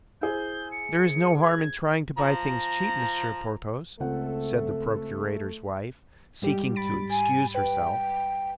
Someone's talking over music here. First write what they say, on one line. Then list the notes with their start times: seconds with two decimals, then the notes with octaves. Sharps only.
"There is no harm in trying to buy things cheap, Monsieur Porthos," said the procurator's wife, seeking to excuse herself.
0.21 E4 G#4 C5 G6
0.72 C#7
1.42 G#6
2.18 F3 A#5
4.00 C#2 A3 C4 A4 F#5
6.42 G#2 G3 G4
6.76 B5 A6 D7
7.11 G#5
7.55 B4 G5